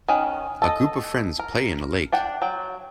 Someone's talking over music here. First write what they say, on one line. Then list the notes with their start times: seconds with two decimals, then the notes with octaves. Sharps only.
A group of friends play in a lake.
0.08 D#3 C#4 F#5
0.62 A4 D#5
1.39 A#4
2.12 D4 F#5 G5
2.42 F#3 G5